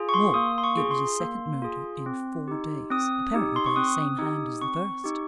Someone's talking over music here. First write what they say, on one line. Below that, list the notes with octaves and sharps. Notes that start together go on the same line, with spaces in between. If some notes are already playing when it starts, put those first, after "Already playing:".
More, it was a second murder in four days, apparently by the same hand as the first.
Already playing: F4 G#4
C#6
C6
A#3 D#6
C6
C#6
F4 G#4
C6
A#3
F4 G#4
C4
D#4 G4
C4 D#6
D#4 G4
C6
C#6
C4 D#6
D#4 G4
C4 C#6
D#4 G4